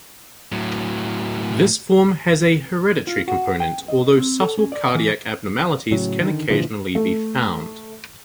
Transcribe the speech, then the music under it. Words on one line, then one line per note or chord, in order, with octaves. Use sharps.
This form has a hereditary component, although subtle cardiac abnormalities can occasionally be found.
A2 F#3
F4
F#4
G5
D#5
C4
A4
C#4
D5
E3
A2 C#3 F#3
D3 D#3
A#2 D3 E3 F3
A3